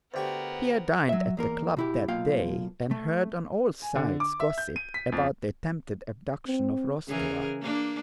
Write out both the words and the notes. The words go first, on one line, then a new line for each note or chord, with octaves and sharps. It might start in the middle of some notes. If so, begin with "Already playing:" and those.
Pierre dined at the club that day and heard on all sides gossip about the attempted abduction of Rostova.
D2 B3 G4 A#4 C5 C#6
F#3 E5
E2 A#3 A#4
B2 E4 G4
B1 A#3 F4 F5 G5
A3
G#5
D3
D6
E5
G6
D#7
B6
F2
C4
C#3 E3 G#4 A#4
A#3 D4